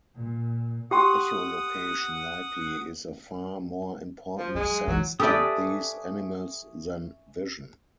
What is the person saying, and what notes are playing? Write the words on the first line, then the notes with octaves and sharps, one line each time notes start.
Echolocation likely is a far more important sense to these animals than vision.
A#2
G4 F#5 G5 C6 D#6
F3
F#3 G#3
E3 F#3
C#4 G4 A4 B4 D5 E5 D#6